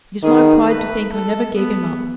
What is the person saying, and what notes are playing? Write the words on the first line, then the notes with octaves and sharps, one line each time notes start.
It is my pride to think I never gave him up.
D#3 G#4
B4
A4
B3